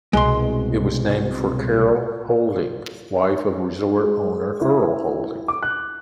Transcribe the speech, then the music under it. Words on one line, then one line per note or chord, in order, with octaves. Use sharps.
It was named for Carol Holding, wife of resort owner Earl Holding.
C2 B2 G#3 C6
G#3
E4
D6
F#6